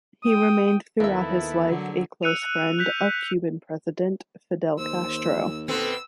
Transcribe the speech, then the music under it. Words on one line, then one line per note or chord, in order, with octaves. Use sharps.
He remained throughout his life a close friend of Cuban president Fidel Castro.
G5 D#6
D#2 A#3 B3 E4 A4 E5
D3 F#3
E6 F#6 C#7 D#7 F7
F#6 G6 B6 F7
D#2 C5 E6
B2 B3 C4 A4 E6